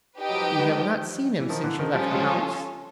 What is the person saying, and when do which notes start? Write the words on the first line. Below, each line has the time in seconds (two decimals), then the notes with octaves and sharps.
"You have not seen him since you left the house?"
0.20 D#4 G4 B4 D#5 G5
0.29 F#3
0.34 F3 G3
0.49 G3
0.59 G#3
0.68 F3 G3
1.40 E3
1.49 D#3 F3
1.64 D3 E3
1.78 D#3 F3
1.93 F3 G3 C#4 F4 A4
2.11 G#3
2.14 F3 G3